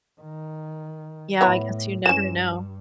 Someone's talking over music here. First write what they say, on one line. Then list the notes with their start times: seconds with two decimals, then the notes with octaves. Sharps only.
Yeah, I guess you never know.
0.21 D#3
1.41 A2 B3 E4 C#5
2.06 G2 E3 C#4 E7